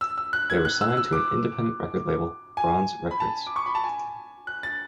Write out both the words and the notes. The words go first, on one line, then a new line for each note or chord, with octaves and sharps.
They were signed to an independent record label, Bronze Records.
E6
E6
F#6
G#6
F#6
E6
E6
D6
G#5
B5
A5
D6
C#6
B5
A5
G#5
F#6
A6